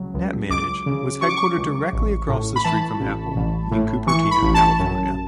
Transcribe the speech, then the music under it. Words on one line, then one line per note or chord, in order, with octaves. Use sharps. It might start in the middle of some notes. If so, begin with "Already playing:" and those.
NetManage was headquartered directly across the street from Apple in Cupertino, California.
Already playing: C#2 C#3 F#3
C#2
C#2 D6
C#3
F#3 C#6
D6
C#6
C#2
A1
A2
B5
E3 A5
A1
A1
A2
E3 C#6
B5
A1
A5
F#2